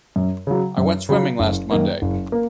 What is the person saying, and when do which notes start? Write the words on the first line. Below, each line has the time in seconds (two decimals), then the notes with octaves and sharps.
I went swimming last Monday.
0.16 F#2
0.47 C#3 F#3
0.78 F#2
1.09 C#3 F#3
1.40 F#1
1.71 F#2 D#3 A#3
2.02 F#1
2.32 A#3